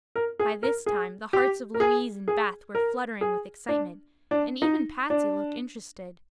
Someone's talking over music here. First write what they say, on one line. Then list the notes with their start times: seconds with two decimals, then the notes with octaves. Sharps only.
By this time the hearts of Louise and Beth were fluttering with excitement, and even Patsy looked interested.
0.16 A#4
0.39 G#4
0.63 A#4
0.86 G#4
1.33 G4
1.74 A#4
1.80 G#4
2.28 G#4
2.75 A#4
3.21 G#4
3.69 D4
4.31 D4
4.62 D#4
5.10 D4